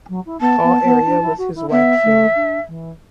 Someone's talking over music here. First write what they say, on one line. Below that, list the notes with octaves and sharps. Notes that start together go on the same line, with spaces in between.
Paul area with his wife, Jane.
F#3
E4
B3 A5
B3
B3
D4
E4
F#4
E4
B3 E5
A3
D4
E3